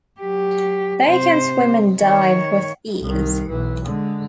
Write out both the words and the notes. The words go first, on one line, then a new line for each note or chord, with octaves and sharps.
They can swim and dive with ease.
F#3 G4
C3 C5
D#3 C#5
C2 D#3
B1 E3
D3 G#3